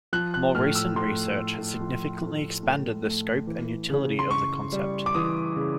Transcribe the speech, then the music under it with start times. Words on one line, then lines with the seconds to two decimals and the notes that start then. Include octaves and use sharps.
More recent research has significantly expanded the scope and utility of the concept.
0.13 F3 F#6
0.34 F#6
0.55 A2 F6
0.75 E6
0.96 A2 C6
1.38 A3
1.80 F3
2.21 A2
2.63 A2
3.06 A3
3.47 E3
3.89 C#3
4.19 C6
4.30 C#3 C#6
4.72 G3
5.06 D6
5.14 E3 D#6
5.56 C#3